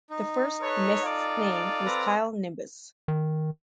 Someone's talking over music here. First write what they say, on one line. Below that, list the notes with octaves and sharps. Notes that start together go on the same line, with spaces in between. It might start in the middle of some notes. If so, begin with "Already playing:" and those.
The first Mist's name was Kyle Nimbus.
D#4
A4 B4 C#5
F4 A4 D5
C4 B4 A#5
D#3